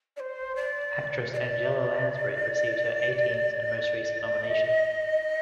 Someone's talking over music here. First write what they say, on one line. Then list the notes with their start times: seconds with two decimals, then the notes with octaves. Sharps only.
Actress Angela Lansbury received her eighteenth and most recent nomination.
0.16 D5
0.19 C5
0.55 D5
1.33 D#5
1.36 D5
4.44 D#5